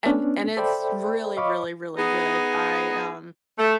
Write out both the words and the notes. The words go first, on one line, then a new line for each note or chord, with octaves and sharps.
and and it's really, really, really good. I am
B3 C#4 D4
A4 C5 D5 E5 G5 B5
C#5 D#5 F5 B5 C#6 D6
B3 D#4 G#4
A3